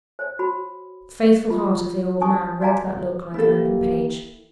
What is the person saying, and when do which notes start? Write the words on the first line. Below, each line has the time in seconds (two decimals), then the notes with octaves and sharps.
The faithful heart of the old man read that look like an open page.
0.19 C5 C#5
0.39 F#4 B5
1.50 F4
2.21 C#4 D4 G#5 A5 C#6 D#6
2.61 F#4 D5 F5 G#5 A#5 D6
3.34 A#3 E4 G4 A4